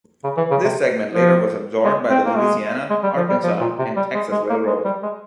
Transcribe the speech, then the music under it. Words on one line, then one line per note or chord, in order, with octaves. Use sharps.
This segment later was absorbed by the Louisiana, Arkansas, and Texas Railroad.
C#3
E3
C#3
C3
F3
G#3
C4
A#3
G#3
G#3
G3
F3
G3
F3
A#2
C3
G3
G#3
G#3
A#3
G#3
G3
G#3